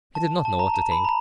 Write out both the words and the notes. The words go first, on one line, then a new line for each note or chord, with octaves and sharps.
He did not know what to think.
A5
A5
A#5
A5
B5
A#5